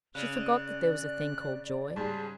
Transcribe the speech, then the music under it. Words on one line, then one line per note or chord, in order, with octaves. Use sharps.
She forgot that there was a thing called joy.
C#3 D5 F#6
G#2 G3 G#4 A5